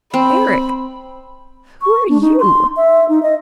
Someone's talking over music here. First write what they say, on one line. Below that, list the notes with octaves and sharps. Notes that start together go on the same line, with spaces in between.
"Eric,--who are you?"
C4 B5
C#6
D4
D#4
C6
E5
D#4
D#5